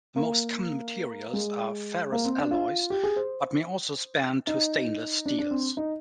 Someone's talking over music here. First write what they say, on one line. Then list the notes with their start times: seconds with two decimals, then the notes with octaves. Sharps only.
The most common materials are ferrous alloys but may also span to stainless steels.
0.16 A#3
1.33 G#3
2.12 A#3
2.25 C4
2.38 D4
2.51 F4
2.90 G4
3.03 G#4
3.16 C5
4.47 D#4
5.26 D4
5.38 D4
5.51 C4
5.77 D#4